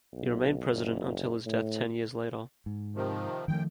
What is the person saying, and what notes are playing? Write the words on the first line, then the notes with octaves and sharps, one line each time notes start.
He remained president until his death ten years later.
B1
F#1
A2
G#2
C3 D#3 F3
F#2 D#3 F3 A3 G5